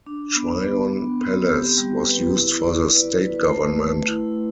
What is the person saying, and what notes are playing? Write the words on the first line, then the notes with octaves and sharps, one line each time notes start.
Tryon Palace was used for the state government.
D4
B3
B3
B3
C4
G4
G3
B4
E4
D5
B4
B4
A3
A3
E4